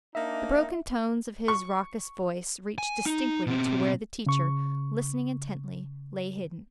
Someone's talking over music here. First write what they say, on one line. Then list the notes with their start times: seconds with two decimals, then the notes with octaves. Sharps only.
The broken tones of his raucous voice reached distinctly to where the teacher, listening intently, lay hidden.
0.15 A#3 D4 D#4 E5
1.48 C#6
2.78 G#5
3.06 D#4
3.47 B2 C4
4.26 C#3 C#6